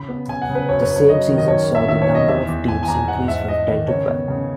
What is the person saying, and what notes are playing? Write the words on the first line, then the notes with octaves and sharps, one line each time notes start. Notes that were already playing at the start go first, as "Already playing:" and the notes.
The same season saw the number of teams increase from ten to twelve.
Already playing: C#3 B5
B3
C#3 G#5
F#5
C#3
B4
F#2 C#5
B4
F#2
C#5
F#3 D#5
D#3
D#5
F#2 C#5
A#3
E5
D#3 E5
C#5
F#2
D#5
E2 E5
E2
E2 G#5
G#5
E2 A#5
G#2 F#5
G#2 E5
G#2 D#5
D#3
C#3 C#5
B3
C#3